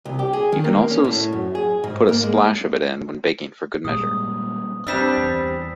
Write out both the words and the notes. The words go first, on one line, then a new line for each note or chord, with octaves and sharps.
You can also put a splash of it in when baking for good measure.
C2
G4
G#4
D#3
A#3
C#4
A2
F#2
G#4
G#2
A#3
G#3
A#2 G3 G#3 D#6
G2 G3 C4 D4 E6 B6 E7
E2